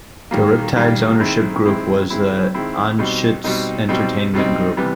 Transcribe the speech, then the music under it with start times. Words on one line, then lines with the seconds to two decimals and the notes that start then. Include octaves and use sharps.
The Riptide's ownership group was the Anschutz Entertainment Group.
0.31 D#3 G3 A#3
0.76 D#3 G3 A#3
1.20 D#3 G#3 C4 E4
1.65 D#3 G#3 C4 E4
2.10 D#3 G#3 C4 E4
2.55 D#3 G#3 C4 E4
2.99 B2 G3 C4 D#4
3.44 B2 G3 C4 D#4
3.88 B2 G3 C4 D#4
4.34 B2 G3 C4 D#4
4.77 C3 E3 G3 B3